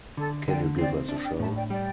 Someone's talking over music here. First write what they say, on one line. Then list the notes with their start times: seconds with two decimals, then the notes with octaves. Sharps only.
Can you give us a show?
0.17 D3 A4
0.47 D3 D5 G5
0.78 C4 D5 G5
1.09 D4 E5 A5
1.24 D5 G5
1.39 A2 E5 A5
1.55 D5 G5
1.69 G3 D5 G5